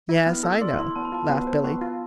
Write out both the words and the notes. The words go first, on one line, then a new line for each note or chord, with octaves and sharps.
"Yes, I know," laughed Billy.
E4
F6
B3
A4 E6
D5 C6
E4 C6
B3 A5
B5
F4 A5
B3
C5
B3
F4